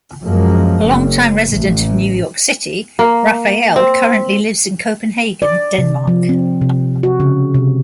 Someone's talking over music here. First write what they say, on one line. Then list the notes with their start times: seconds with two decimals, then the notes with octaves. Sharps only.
A long-time resident of New York City, Raphael currently lives in Copenhagen, Denmark.
0.24 F#2 F3 G#3 A#3
0.85 F#1 F#2
1.49 A1
2.99 A#3
3.76 C4
5.42 D5
5.78 C3
6.08 F3
6.29 C4
6.61 C3
7.03 F#4
7.20 C#3
7.54 C3